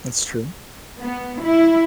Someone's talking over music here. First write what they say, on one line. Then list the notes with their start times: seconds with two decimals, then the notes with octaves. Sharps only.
That's true.
1.00 B3
1.42 E4